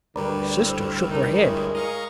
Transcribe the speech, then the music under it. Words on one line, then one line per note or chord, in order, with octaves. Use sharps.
My sister shook her head.
D2 G2 D3 G3 A#4 B4 D5
A2 C5 E6 F6
D3 D#4 A#4
G#3 E4 C#5 D#5
D#5 F5 A#5 C#6 D#6 F6